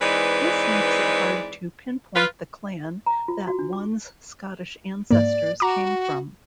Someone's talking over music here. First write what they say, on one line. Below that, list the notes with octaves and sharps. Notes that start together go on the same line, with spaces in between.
This makes it hard to pinpoint the clan that one's Scottish ancestors came from.
E3 G#3 C4 D#4 B4 D5
F4 B4
A#5
F4
F#4
D4
D6
G#2 A#3 D5
F#4 A#5 D6